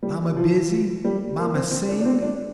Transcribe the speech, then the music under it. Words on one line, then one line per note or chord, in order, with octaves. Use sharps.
"Mama busy; mama sing."
G3
F3
G3
A#3
C4
C4
D4
D4
C4
D4